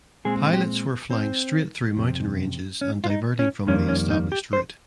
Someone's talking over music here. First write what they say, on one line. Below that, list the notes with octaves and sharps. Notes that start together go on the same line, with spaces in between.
Pilots were flying straight through mountain ranges and diverting from the established route.
A#2 G#3 C4 G#4
G4
C4
F2 C3
C#4
F4
D#4
C#4
F2 D#3 G3 A#3 C#4
C#4
D#4
G4
C5